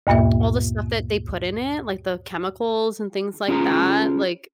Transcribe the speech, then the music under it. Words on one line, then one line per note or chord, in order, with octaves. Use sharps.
all the stuff that they put in it, like the chemicals and things like that, like,
D2 G2 A#2 A#3 E5
C#4 F4 G#4 G5 A#5